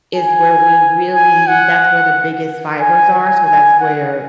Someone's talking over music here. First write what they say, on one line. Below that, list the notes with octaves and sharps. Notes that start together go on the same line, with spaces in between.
is where we really that's where the biggest fibers are. So, that's where
G#5
G#5
F#5
G#5
G#5
G#5
F#5